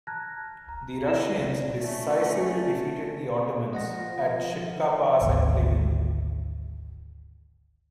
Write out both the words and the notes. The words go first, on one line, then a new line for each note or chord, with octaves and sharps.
The Russians decisively defeated the Ottomans at Shipka Pass and Pleven.
A5 A#5 F6 F#6 G#6 A#6
A#5
E4 D5 A#6 E7
A3 C#4
F3 D#5 F#5 A#6
G#1 D2